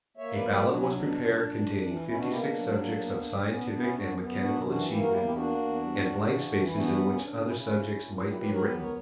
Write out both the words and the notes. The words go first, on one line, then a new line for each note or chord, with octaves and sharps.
A ballot was prepared containing fifty-six subjects of scientific and mechanical achievement and blank spaces in which other subjects might be written.
A#3 C#5 E5
B4 D5
F#3
B4 D5
F#3 D4 F#4
C#4 E4
B2 D4
D4
F#2
F#2
F#2
E3
B2 C#4 E4
D4 F#4
A#3 E4 G4
D4
F#3
A#3
B3
G2
B3 C#4
D4
B3
C#4 E4
F#2 D4 F#4
B3
F#2 D4 F#4
E3 D4 F#4
A#3 E4 G4
F#4 A#4
E2 E4 G4
E4 G4
A#3 D4 F#4
E2
G3
C#3
E3
E3
E4
B3 D4 F#4
D4 F#4
C#3 C#4 E4
C#4
C#3 D4
D4
C#3 C#4 E4
C#4 E4
A#2
A#2
F#3
E4 G4
F#3 G4 B4
F#4 A#4
B3 G4 B4
A#4 C#5
F#3